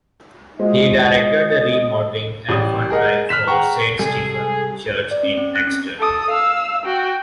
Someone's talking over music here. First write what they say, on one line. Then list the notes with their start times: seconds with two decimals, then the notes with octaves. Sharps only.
He directed the Remodeling and Fund Drive for Saint Stephen Church in Exter.
0.59 G#3 F4 F#4 C5 D#5
2.49 A1 G3 D#6
2.90 G#4 A#4 D#5 F#5
3.29 F6 F#6 B6 E7
3.47 G#4 F#5 G5 A#5 C#6
3.99 C3 G3 G#4 A4 G#5
5.11 D5
5.23 C#4
5.37 C4
5.55 F#6
5.67 C#4
5.99 A4 D#6
6.30 F5 E6
6.86 F#4 G5